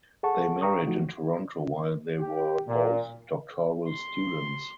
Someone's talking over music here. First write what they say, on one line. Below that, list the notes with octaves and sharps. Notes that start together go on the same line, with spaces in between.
They married in Toronto while they were both doctoral students.
G#4 A4 F#5 A5 C#6
F5 G5 A#5 C#6 D#6
F3 A3 D#4 F#4
G4
A#2
C6